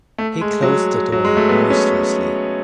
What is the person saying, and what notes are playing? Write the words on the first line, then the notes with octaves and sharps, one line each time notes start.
He closed the door noiselessly.
A3
G#3
F#3
F#3
G#3
A3
B3
C#4